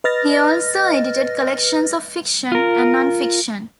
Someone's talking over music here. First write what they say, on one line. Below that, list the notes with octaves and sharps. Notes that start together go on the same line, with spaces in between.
He also edited collections of fiction and non-fiction.
B4 D#5 F6 A6 A#6
F4 A#4